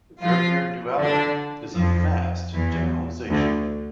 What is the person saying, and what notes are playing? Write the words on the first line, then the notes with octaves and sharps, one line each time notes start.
Verdier duality is a vast generalization.
F3 F4
D3 D4
F2 F3
E2 E3
D2 D3